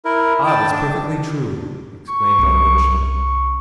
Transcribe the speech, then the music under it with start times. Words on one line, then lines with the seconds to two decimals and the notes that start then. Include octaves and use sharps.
"Ah, that's perfectly true!" exclaimed Alyosha.
0.05 E4 A#4
0.46 G5 A5
0.71 D4
2.08 C#6
2.39 C2 D3